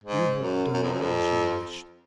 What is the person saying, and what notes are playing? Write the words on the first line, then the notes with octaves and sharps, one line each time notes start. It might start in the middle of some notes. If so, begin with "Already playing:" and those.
You have done as you wished.
G#2
F#2
F#2
F2
F#2
F2